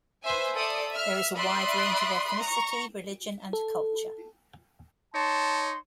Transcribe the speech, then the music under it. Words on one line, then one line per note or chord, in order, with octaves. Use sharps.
There is a wide range of ethnicity, religion, and culture.
B4 C5 E5 G#5
A4 C5 D5 E5 D#6
E5 F6
D5 E5 B5 C6 D#6 F#6
A#5 C#6
A4
D#4 C#5 A5 C6